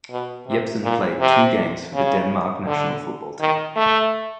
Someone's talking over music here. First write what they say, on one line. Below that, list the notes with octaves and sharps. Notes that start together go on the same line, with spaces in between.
Jepsen played two games for the Denmark national football team.
B2
C3
A#2
C3
C#3
D3
D#3
A3